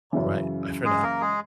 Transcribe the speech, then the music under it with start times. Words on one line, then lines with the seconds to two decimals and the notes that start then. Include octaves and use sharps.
All right, bye for now.
0.13 F#2 C#3 E3
0.85 G#3 G#4
1.03 A#3 A#4
1.21 G#3 G#4